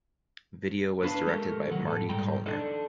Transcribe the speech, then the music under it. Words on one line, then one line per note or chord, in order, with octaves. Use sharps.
Video was directed by Marty Callner.
D4 B4 F5 A5
G#3 A3 G4 A4 A#4
D#3 F#3 F#5
A2 A4
G#2 G3 G#3 G5 A#5
D4 D#4 A4